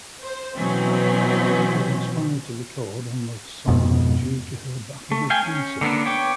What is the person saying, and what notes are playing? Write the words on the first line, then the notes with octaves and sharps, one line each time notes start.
She was inspired to record on the song due to her battle with cancer.
C5
B2 E3 F#3 C4 C#4
F2 G#2 B2
A3
F5 G5 G#5
C#4
D3 A#3 B3 D4
B3 C#5 G5 D6